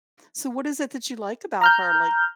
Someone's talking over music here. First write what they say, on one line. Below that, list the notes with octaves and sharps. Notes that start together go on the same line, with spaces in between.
So what is it that you like about her? Like,
A#5 F6 G6